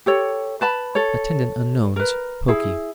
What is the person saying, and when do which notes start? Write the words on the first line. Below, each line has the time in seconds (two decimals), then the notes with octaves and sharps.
Attendant unknowns; pokey.'
0.06 G4 A4 C#5
0.61 B4 A5 B5
0.95 A4 C#5
1.96 A#4 B4
2.48 E4 G#4